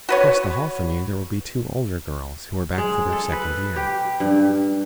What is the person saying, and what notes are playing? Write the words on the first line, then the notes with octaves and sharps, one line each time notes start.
Across the hall from you there will be two older girls who are back for their second year.
F#4 B4 C#5
G#3
A4
B4
G4
G2